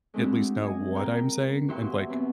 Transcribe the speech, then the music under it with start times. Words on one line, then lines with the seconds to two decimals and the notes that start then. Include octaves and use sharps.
at least know what I'm saying and like
0.14 G#3 A3 C4 D4 E4 F#4
0.61 D#5 G#5
0.96 F4 A#4 G5 A#5
1.68 E2 A#2 F#4 G4 E5 C6
2.09 F#2 B2 C4 B5